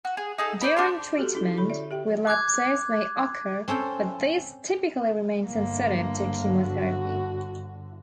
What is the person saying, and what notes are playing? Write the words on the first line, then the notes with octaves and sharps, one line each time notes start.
During treatment, relapses may occur but these typically remain sensitive to chemotherapy.
F#4
G#4
D#4 G#4 A4
C5 D5 B5
D4 G4 C6
F#4 G4 A4
C#4 E4 A4
D3 A4 B5
D5 E5
G4 E5 G5
D6 F#6 G#6
C4 C#4 A4 G5
G1 D3 A#3
F#4